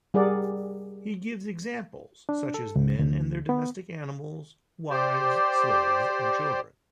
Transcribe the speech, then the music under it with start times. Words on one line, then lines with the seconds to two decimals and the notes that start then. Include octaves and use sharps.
He gives examples such as men and their domestic animals, wives, slaves, and children.
0.14 G3 G#4 A#4 D5 F#5
2.29 D4
2.54 A4
2.76 C#2
2.99 D2
3.49 B3
4.90 G4 C5 D5